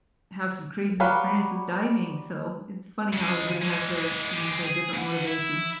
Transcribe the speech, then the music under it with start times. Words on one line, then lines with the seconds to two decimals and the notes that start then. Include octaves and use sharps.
have some crazy experiences diving; so it's funny how everybody has their, you know, their different motivations.
1.00 F#3 G3 B4 F5
3.13 C#3 G#3
3.62 E3 G#3
4.31 G#3 G4
4.64 G#4
4.93 G2 F#5
5.28 E4